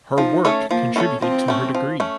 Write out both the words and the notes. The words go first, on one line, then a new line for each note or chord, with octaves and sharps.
Her work contributed to her degree.
F3 D#4
A3 C#4 A4 C#5
F3 A#3
A3 C#4 A4 C#5
F3 C4
A3 C#4
F3
A3 C#4